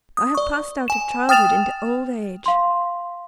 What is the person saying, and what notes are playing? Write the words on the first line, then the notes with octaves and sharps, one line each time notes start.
I have passed out of childhood into old age.
D#6
D5 C#6
G#5 E7
G5 D#6 F6 A6 E7 F7
F5 C6